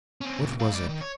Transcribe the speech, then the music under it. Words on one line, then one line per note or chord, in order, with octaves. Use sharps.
What was it?...
C4 C#4
A#2 C#3
A4 F5
G#3 D5
D#3
C#5